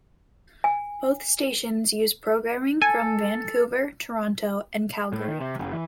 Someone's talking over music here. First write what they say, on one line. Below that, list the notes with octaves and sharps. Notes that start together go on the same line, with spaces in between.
Both stations use programming from Vancouver, Toronto, and Calgary.
G#5
A4 G#5
A2
D#3
C3
F#1
E3